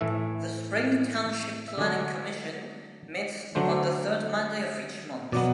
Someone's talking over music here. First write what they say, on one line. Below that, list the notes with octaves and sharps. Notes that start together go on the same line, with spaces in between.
The Spring Township Planning Commission meets on the third Monday of each month.
A2 E3 A3 E5
E5
D3 F#3 A3 D4 D5
D3 F#3 A3 D4 C5
B2 F#3 B3 D5